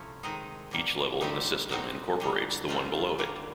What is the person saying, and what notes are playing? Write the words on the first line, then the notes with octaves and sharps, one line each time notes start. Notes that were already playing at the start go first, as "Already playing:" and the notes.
Each level in the system incorporates the one below it.
Already playing: C3 F3 A3 C#4 E4
D#3 G#3 C4 D#4
B2 G3 A#3
D3 G3 C4 D#4 G4
B2 G3 C4 D#4 F#4
D3 G3 A#3
F#3 A3 C4 F4
D3 G3 A#3